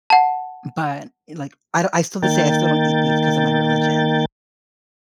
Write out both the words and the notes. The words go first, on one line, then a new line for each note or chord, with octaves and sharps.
but, like, I d I still this day I still don't eat beef 'cause of my religion,
F#5 A5
D#3 A#3 G5 A6